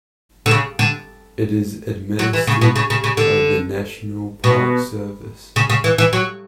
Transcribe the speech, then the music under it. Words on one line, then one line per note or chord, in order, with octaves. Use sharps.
It is administered by the National Park Service.
D3
C#3
D3
F#3
E3
C#3
B2
C#3
C#3
C#3
D3
B2
C#3
C#3
E3
E3
F#3